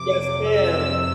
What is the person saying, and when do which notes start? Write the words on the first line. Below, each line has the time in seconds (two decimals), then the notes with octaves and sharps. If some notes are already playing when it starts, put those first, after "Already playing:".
Yes, ma'am.
Already playing: F2 C3 F3 D6
0.47 E6